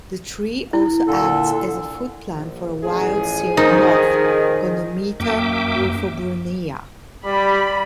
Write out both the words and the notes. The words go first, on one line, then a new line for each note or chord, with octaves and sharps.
The tree also acts as a foodplant for a wild silk moth, "Gonometa rufobrunnea".
E4
A#2 D3 A4
A#1
A1 F3 G#4
D#3 D#4 A#4 C5 A#6
F#2 A#3 E5 G5 D6
G3 B5